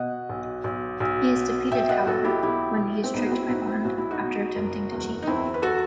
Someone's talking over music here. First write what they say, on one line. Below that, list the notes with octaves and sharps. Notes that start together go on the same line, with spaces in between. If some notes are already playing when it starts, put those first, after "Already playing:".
He is defeated, however, when he is tricked by Bond after attempting to cheat.
Already playing: B2 D#5 F#5
B1
B1
B1
B2
B1 E5 G5
D#5 F#5
B1 F#4 A4
E4 G4
B2 E4 G4
B2
C4
B1 B3 D#4
F#4
C4 E4
E4
B1 D#4 F#4
C4 E4
B1 F#4
E4
D#4 F#4
B2
F#1
E2
D#4
E2 C4 E4
B4
F#4 A4